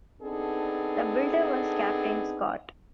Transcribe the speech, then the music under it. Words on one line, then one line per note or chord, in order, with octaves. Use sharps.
The builder was Captain Scott.
B3 C4 D4 D#4 G#4 A4